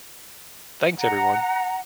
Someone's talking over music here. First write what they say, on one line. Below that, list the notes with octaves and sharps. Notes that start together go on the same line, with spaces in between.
Thanks everyone!
F#5 A#5